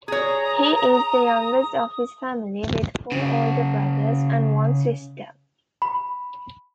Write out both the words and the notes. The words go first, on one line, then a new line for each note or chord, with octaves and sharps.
He is the youngest of his family, with four older brothers and one sister.
G#4 C#5 A#5 D#6
C#3 F#4
B5